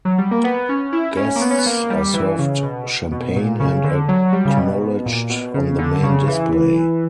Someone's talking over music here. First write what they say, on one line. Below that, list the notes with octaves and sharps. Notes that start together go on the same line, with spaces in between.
Guests are served champagne and acknowledged on the main display.
F#3
G3
A#3
B3
C#4
E4
C#4
A#3
B3
C#4
B3
A#3
G3
E3
C#3
B2
B2
A#2
C#3
D3
F#3
G3
C#3
B2
B2
A#2
B2
C#3
D3
C#3
E3